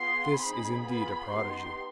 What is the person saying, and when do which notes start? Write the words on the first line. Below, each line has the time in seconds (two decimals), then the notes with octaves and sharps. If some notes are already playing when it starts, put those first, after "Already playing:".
This is indeed a prodigy.
Already playing: B3 F4 G#4 C6
0.36 C4 D#4 G#4 B5
0.82 B3 F4 G#4 B5
1.29 B3 D#4 G4 C6